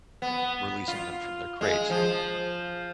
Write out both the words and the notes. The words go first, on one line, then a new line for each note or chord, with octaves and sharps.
releasing them from their crates,
B3
F4
G#3
F3